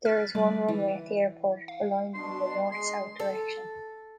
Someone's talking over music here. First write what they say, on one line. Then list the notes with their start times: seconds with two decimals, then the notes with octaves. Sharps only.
There is one runway at the airport, aligned in the north-south direction.
0.05 B4 F6 A6
0.35 G3 B4 D5
0.68 E3
1.68 F5
2.14 B2 D4 C6
2.71 G#3 C6
3.19 A4